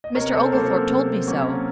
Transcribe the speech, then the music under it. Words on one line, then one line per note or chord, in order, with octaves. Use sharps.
"Mr. Oglethorpe told me so."
D#5
C3 A#4 C#5
A4 C5
F#3 A#3 C#4 A4 C5
A#4
C3
F#3 A#3 C#4